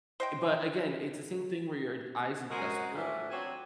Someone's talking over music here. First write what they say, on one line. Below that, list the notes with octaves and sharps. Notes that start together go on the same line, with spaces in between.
But again, it's the same thing where your eyes adjust to it.
C5 D#5 G5
F#2 G#3 F#4 A#4 C5 G#5
A2 E3 F3 G3 D4 F#4
F#3 C4 D4 F#4 C#5 G#5